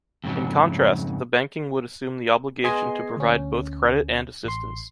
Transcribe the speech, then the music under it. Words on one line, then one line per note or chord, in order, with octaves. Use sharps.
In contrast, the banking would assume the obligation to provide both credit and assistance.
F2 G#2 C#3 F#3
B3 G#4 D#5 G#5 C6 C7
D2 C#4
A1 C6